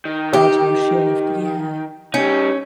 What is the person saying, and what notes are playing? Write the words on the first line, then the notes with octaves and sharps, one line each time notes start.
Gradual shift, yeah.
D#3
G4
G3 C#4 D#4